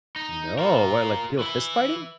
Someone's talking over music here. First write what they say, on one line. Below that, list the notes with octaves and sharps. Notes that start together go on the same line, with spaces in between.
No, well, like, people fist fighting?
D#4
F4 A#4
E3 E4